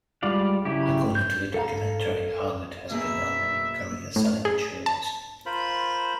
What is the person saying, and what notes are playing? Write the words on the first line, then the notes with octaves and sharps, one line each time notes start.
According to the documentary, Haggard has begun a new career selling insurance.
G3 G#3 F4 D5 F5
C#3 F#3 E4 G4
G6
A4 F5 A#5
B2 A#3 G#4 E5
A2
G#4
A5
F4 A#4 C5 B5